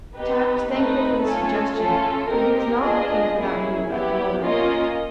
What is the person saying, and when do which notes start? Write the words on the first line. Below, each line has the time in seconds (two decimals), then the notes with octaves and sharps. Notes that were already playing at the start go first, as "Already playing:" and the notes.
Tad was thankful for the suggestion, for he was not looking for that move at the moment.
0.16 B3 D#4 G4 B4
0.69 A3 C4 D#4 B4
1.22 A3 C#4 F4 A4
1.75 A3 C#4 F4 A4
2.29 C4 D#4 G4 A#4
2.82 D4 F4 G#4 D#5
3.35 A#3 C#4 E4 G#4
3.89 B3 E4 G4
4.42 A#3 C#4 F4 D#5